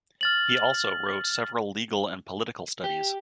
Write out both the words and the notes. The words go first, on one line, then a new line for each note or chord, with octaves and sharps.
He also wrote several legal and political studies.
F6 A6 F#7
G4